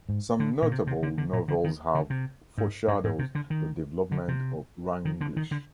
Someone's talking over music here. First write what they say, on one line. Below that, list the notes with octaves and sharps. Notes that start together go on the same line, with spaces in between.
Some notable novels have foreshadowed the development of Runglish.
G#2
D3
A#2
C3
C3
D3
D3
A#2
D3
D#3
D3
C3
G#2
G2
G#2
C3
D3
D#3
D3
C3
D#3
D3
D#3
D3